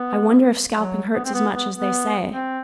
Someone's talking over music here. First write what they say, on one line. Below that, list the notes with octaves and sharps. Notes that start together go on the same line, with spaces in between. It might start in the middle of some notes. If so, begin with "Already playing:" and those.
I wonder if scalping hurts as much as they say.'
Already playing: B3
F#3
B3
C4
B3
B3
B3
C4